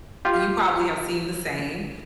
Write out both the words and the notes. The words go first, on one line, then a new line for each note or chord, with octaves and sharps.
you probably have seen the same.
F4 G4